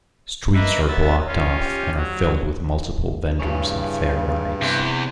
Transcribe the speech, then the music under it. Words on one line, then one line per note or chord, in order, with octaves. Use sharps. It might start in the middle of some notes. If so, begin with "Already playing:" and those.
Streets are blocked off and are filled with multiple vendors and fair rides.
A#3 B4 D#5 E5
B3 A#4 C#5 E5 A6
C#4 F4
G4
F#3
G2 C#3 E4 G#4 C#5
E2 C3 C5